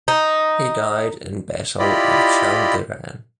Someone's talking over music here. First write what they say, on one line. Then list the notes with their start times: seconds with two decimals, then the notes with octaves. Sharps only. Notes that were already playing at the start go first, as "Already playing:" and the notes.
He died in Battle of Chaldiran.
0.08 D#4
1.79 E4 F4 G4 D5 D#5 B5